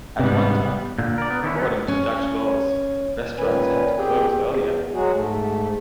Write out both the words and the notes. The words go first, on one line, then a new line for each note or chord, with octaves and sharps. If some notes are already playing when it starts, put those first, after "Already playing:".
At one time, according to Dutch laws restaurants had to close earlier.
G#2 C3 G3 B3
A#2 D3
A#4 D5
B3
D3 D#3 C#4 E4
F#3 B3 C#4
C#4
A#2 D#3 C#4 B4 G#5
C4 G4 G#4 G5
E2
F#3 G#3 F#4 G#4
G#2 A3